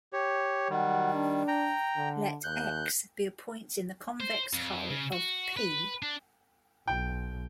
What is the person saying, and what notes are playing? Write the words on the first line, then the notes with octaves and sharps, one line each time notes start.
Let x be a point in the convex hull of "P".
G4 C#5
D#3 F#3 G3 F#5
D4
G5 A#5
D3
D#2 F#6 G6
C5
F2
C#3
F#4
B4
D4
B1 G5